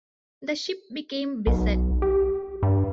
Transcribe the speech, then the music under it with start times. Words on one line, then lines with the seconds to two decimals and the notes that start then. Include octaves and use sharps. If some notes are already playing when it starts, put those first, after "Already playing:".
The ship became beset.
1.47 B1
2.02 G4
2.63 G2